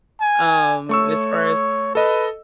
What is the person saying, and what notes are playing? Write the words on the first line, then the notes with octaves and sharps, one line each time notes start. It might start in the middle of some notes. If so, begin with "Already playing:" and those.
um, as far as
G#5
A3 C#5 C#6 E6
A4 B4 D#5